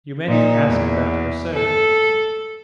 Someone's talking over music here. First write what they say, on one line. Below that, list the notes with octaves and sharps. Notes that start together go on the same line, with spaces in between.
You meant to ask about her surname.
A#2 D#4
E2
A4